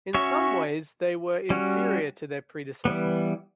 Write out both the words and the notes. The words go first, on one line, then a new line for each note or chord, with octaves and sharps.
In some ways they were inferior to their predecessors.
C#4 F#4 C#5 E5
G3 C#4 F#4
E3 G3 B3